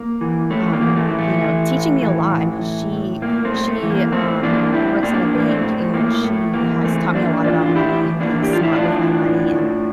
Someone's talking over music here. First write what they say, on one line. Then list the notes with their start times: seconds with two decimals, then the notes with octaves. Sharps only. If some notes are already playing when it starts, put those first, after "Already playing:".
um, you know, teaching me a lot, I mean, she she, um, works at a bank, and she has taught me a lot about money and being smart with my money, and
Already playing: A#3
0.21 E3
0.50 A2 A3
0.73 A#3
0.81 E3
0.96 A3
1.11 E3
1.19 A3
1.41 E3
1.71 A2
2.02 E3
2.32 A2
2.61 E3
2.92 A2
3.22 A2 A#3
3.45 A3 C4
3.52 A2
3.67 A3
3.83 E3
3.90 A#3
4.12 A2 A3 C4
4.43 E3 A#3 D4
4.73 A2 C4 E4
5.03 A2 A#3 D4
5.33 A2
5.39 A#3
5.48 A3 C4
5.64 A2
5.94 A2 A#3
6.23 A2 A3
6.54 E3 A#3
6.84 E3 A3 C4
7.14 A2 A#3 D4
7.44 E3 D4 F4
7.66 F4
7.75 A2 E4 G4
8.05 E3
8.20 A#3 D4
8.36 A2
8.43 G4
8.53 F4
8.63 A2 E4
8.73 D4 F4
8.96 E3
9.26 A2
9.55 A2